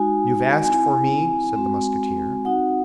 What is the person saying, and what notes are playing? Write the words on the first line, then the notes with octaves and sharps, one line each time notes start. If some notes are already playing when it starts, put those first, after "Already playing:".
"You have asked for me?" said the Musketeer.
Already playing: G#3 D#4 F#4 G#5
C4 E4 G#5
G#3 C4 F#4
C4 D#4 F#4 F#5